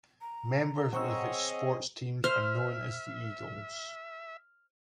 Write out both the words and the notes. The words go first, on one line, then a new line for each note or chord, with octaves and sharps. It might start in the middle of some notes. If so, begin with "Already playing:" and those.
Members of its sports teams are known as the "Eagles".
A#5
C4 G#4 C#5 D#5 F#5 C#6 E6
C5 E5 F6